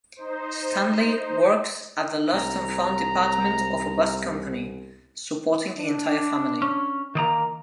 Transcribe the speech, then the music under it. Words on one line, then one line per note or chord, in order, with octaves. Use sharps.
Stanley works at the lost-and-found department of a bus company, supporting the entire family.
D#4 C5
C2 A#5
D4
C#4
D#3 A#3 D5 A#5